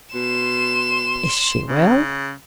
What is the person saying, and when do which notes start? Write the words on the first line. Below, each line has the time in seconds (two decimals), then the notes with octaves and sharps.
Is she well?
0.14 B2 C6 E7
1.68 C#3